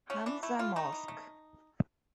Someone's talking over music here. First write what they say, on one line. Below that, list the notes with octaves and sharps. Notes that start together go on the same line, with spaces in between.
Hamza Mosque.
A3 C#4
E3 D4
A3 E4
E3 F4
A3 D#4
E3
A3